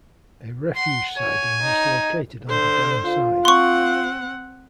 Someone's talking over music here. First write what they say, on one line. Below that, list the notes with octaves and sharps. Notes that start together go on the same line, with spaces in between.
A refuge siding was located on the down side.
F#5 C6
C#5 G#5
D#4
D3 C5
F4
C4 F#5 C6 C#6